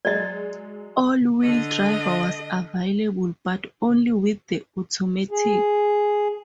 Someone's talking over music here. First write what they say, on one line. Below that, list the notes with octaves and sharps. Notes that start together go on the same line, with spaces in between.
All-wheel-drive was available, but only with the automatic.
F#3 G#3 D5 D#5 A6
D3 D#5
G#4